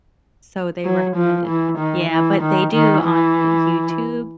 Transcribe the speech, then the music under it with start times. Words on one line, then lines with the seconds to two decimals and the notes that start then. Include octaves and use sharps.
so, they recommended Yeah, but they do on YouTube,
0.85 F#3
1.16 F3
1.47 E3
1.78 D#3
2.10 E3
2.41 D#3
2.73 D#3
3.04 E3